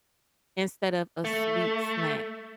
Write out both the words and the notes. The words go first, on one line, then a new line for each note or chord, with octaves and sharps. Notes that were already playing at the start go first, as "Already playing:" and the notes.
instead of a sweet snack,
A3